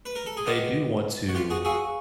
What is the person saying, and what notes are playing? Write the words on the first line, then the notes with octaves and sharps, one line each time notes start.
they do want to
B4
A#4
A4
G#4
F4 G4 B4 D#5 F#5
F#4
F4 G4
F#4 G#4
F#4 G#4 F5 G#5 C#6 E6